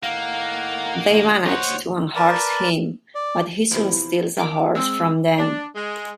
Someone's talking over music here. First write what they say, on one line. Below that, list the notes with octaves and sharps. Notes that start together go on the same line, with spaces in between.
They manage to unhorse him but he soon steals a horse from them.
A2 D#3 A#3 F5 F#5
C5 C#5 D#5 F#5
A#4 B4 D5 A5
D5
E2 C3 F3 E4
D#3 A#4 D6
G#3 C4 E6
D4
G#3